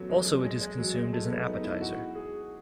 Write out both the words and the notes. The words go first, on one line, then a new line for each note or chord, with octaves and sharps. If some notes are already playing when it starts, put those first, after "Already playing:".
Also it is consumed as an appetizer.
Already playing: F#3 A3 B3 C#4
G#3
F#3
G#3
G#3
F#3
G#3
A3
B3
D#4
E4
F#4
G#4